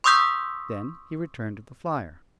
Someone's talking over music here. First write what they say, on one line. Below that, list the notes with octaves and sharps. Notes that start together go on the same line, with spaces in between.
Then he returned to the flier.
C6 C#6 D#6 E6 G6 B6